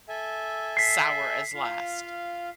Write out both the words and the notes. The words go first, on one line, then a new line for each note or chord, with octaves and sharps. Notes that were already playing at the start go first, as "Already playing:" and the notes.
sour as last?
A4 E5 G#5
B6 C7
F4 F5